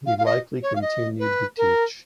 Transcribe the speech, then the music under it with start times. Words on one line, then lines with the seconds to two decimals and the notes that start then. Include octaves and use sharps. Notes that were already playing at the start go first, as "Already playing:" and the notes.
He likely continued to teach.
0.06 F5
0.18 F5
0.25 D#5
0.62 C#5
0.75 F5
0.81 D#5
1.19 B4
1.57 A#4